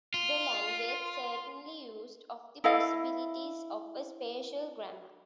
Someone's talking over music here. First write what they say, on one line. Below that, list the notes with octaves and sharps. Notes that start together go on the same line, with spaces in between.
The language certainly used of the possibilities of a spatial grammar.
F4
E4 A4 D#5 F5